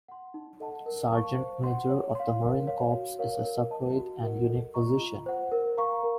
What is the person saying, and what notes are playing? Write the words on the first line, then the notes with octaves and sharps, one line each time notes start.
Sergeant Major of the Marine Corps is a separate and unique position.
F#5 C6
D#4
A4 D#5 F#5 A5
A#4
F5 A5 C#6
C5
F#5 C6
C#5
F5 C6
A#4
C#5 F5
F#4
A#4 C#5 F5
A#4
D#5 A5
F#4
A#4 D#5 F#5
A4
D#5 A#5 C#6
F4
C5 F#5
A#4
F5 A#5 C#6
A#4